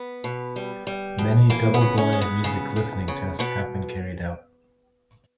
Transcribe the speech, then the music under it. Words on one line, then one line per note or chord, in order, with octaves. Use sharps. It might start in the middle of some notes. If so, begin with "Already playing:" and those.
Many double-blind music listening tests have been carried out.
Already playing: B3
B2
G3
G3
B2
E3 A#3
B3
C#3
C#4
G#3
B3
C#3
C#3
C#3
B2 B3